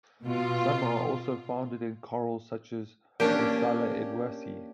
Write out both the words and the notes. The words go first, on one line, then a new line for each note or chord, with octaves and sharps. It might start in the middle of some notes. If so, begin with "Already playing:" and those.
Some are also found in corals such as Maasella edwardsi.
B2 F4
A#3 C#4 D4 G4